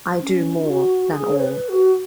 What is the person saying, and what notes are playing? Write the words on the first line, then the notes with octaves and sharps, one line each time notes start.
I do more than all.
C#4
F#4
G#4
C#5
B4
F#4